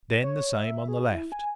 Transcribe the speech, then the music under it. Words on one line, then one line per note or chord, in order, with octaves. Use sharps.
Then the same on the left.
C#5
E5
G#4
E4
G#5